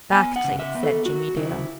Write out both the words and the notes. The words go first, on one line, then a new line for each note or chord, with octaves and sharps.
"Exactly," said Jimmie Dale.
B3 G#5
F#5
C#3
E5
B3
A4
F#3 F#4
C#3 E4